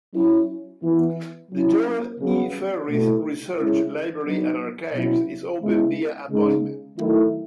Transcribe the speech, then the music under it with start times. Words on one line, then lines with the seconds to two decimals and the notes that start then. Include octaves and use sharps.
The Joel E. Ferris Research Library and Archives is open via appointment.
0.14 F#3 C#4 E4
0.83 E3 B3 E4
1.51 F#3 C#4 E4
2.19 C#3 F#3 B3
2.88 B2 A3 E4
3.56 C#3 G#3 C#4 E4
4.25 F#3 B3 D#4
4.93 B2 F#3 C#4 E4
5.61 C#3 G#3 B3 E4
6.30 C#3 G#3 D#4
6.98 D#3 F#3 A3 E4